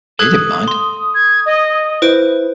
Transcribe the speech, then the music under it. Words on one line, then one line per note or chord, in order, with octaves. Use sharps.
He didn't mind.
A4 D#6 F#6 G#6
C6
G#6
D#5
E4 B4 C5 D7